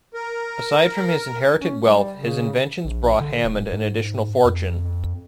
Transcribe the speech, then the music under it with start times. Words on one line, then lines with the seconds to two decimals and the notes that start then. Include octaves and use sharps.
Aside from his inherited wealth, his inventions brought Hammond an additional fortune.
0.14 A#4
1.61 C#4
1.82 G3
2.15 C#3
2.85 A#1
3.21 D3
3.44 D1
3.72 G#2
4.45 F2
4.85 F2